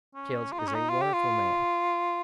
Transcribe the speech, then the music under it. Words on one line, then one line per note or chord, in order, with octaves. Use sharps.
Childs is a wonderful man.
C#4
F4
D#4
C#4
D#4
F4
G4
F4